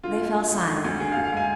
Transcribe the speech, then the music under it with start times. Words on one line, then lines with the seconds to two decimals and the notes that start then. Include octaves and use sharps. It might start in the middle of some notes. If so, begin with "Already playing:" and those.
They fell silent.
0.03 D3 F4
0.19 D2
0.37 G#3
0.52 D2
0.68 D3
0.85 D2
1.00 D3 G#4
1.12 F5
1.17 D2
1.25 F5
1.33 G#3 G#5